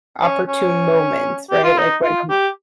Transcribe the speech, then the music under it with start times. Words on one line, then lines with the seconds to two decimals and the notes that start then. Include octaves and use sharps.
inopportune moments, right? Like, when I'm
0.22 C#4
0.48 C#4
1.51 G4
1.64 F4
1.78 D#4
2.03 F4
2.30 G4